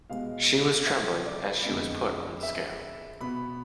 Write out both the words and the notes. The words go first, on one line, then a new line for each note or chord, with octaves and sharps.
She was trembling as she was put on the scale.
B2 G#3 B3 F5
E5
D5
B4
F2 D3 G#3 B3
E5
B2 B3 B5